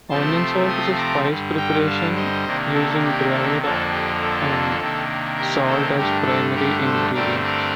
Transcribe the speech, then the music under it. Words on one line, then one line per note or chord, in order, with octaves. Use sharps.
Onion salt is a spice preparation using dried onion and salt as primary ingredients.
C3 F3 A3 C4 A5 C6
C6 D#6
A#5 D6
G2 D3 G3
G5 A#5
F5 A5
C5 D#5
C3 D#3 A#3 D4
A4
G4
A4
F2 D3 F3 A#3 D4 A4
G4
A4
C3 D#3 A#3 D4
G4 A#4
A4 C5
G2 D3 A3 D4 G4 A#4
A4
G4 A#4
A4 C5
G2 D3 A3 C4 A#4 D5
A#4 D5